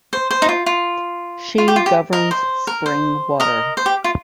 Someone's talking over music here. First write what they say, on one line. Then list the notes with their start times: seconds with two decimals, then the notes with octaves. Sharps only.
She governs spring water.
0.13 C5
0.31 C5
0.42 D#4
0.49 F4
0.66 F4
1.58 F4
1.68 G4
1.76 F4
1.86 G4
2.13 A#4 D#5
2.31 C5
2.67 A#4
2.86 C5
3.40 A#4 D#5
3.77 C5
3.86 G4
4.04 F4